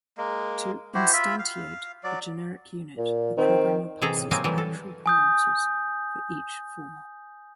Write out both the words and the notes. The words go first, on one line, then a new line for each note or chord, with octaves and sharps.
To "instantiate" a generic unit, the programmer passes "actual" parameters for each formal.
G#3 A#3
E4 F#4 G4 C5
F4 E5 B5
F5
F#3 D5
A#2
D#3 C4
C3 E3 G#4 A4 A#5
A2
C3 F#3 A#3 C4 D#4 G#5
E3 F#3 G3 A3
A4
G#5 D#6 G6